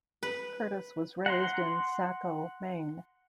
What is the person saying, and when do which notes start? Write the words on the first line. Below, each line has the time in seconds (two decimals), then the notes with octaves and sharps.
Curtis was raised in Saco, Maine.
0.23 B4
1.26 F#5 A#5 C6